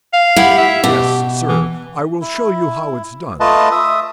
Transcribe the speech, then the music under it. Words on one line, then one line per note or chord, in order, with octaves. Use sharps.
Yes, sir, I will show you how it's done.
F5
E4 G4 F#5
E5
B2 G4
E3
E4
A3 F4 B4 D#5 A5
E5 D#6